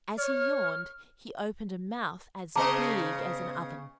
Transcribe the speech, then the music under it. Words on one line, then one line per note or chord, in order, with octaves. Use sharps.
As he yawned, he opened a mouth as big as an oven.
C#5 F6
C#3 B3 D#5 A5 A#5 D6